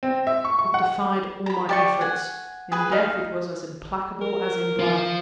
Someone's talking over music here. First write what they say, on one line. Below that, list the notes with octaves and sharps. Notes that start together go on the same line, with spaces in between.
It defied all my efforts; in death it was as implacable as in life.
C4
E5
C#6
C#6
F#5
A#5 B5
G4 D5 C#6
F#5 G#5
G#4 B4
D#4 F5
A#4
F3 F4